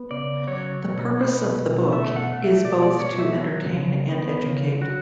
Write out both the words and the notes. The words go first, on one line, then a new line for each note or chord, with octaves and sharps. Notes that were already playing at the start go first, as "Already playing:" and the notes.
The purpose of the book is both to entertain and educate.
Already playing: B3
C#3 D5
F#3 C#5
B2
B3
B2
A3 E5
F#5
A3
E5
B2 D5
D5
B2 C#5
E5
F#3
C#3
B3
C#3
F#3 F#4